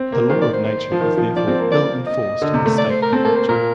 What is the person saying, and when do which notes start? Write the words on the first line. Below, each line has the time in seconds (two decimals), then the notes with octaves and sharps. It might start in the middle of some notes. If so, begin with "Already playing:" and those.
The law of nature is therefore ill enforced in the state of nature.
Already playing: C4
0.12 A#3
0.29 D#3 C5
0.41 D5
0.53 C5
0.64 C5
0.92 F3
1.01 D#3
1.17 F3
1.36 F3 D5
1.48 C4
1.59 A#3
1.72 D5
2.07 D#5
2.42 D3
2.54 C3
2.66 A3
2.78 D5
2.89 C5
3.02 A#4
3.13 C4 A4
3.25 A#3 A4
3.36 C5
3.48 A#2 A#4